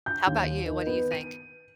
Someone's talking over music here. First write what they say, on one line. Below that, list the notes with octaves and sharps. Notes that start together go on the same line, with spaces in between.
How about you, what do you think?
G6
D#2
D#3
B3
D#7